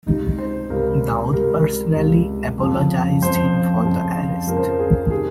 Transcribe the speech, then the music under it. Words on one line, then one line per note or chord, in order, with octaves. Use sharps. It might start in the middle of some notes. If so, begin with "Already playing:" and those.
Daoud personally apologized to him for the arrest.
C#2 C3 G3 D#4
C5
C#2 C3 G3 A#4
C#2 C3 G3 A#4
C#2 C3 G3
F2 C#3 F3
F2 C#3 F3 C5
F2 C#3 F3
F2 C#3 F3 A#4
C5
A#4
G#4
C3 D#3 G3 G#4